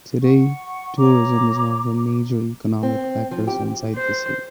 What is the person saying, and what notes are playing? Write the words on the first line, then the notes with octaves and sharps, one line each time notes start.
Today, tourism is one of the major economic factors inside the city.
F#5 C#6
C#5 A#5 D6
C4
F3
G4
C5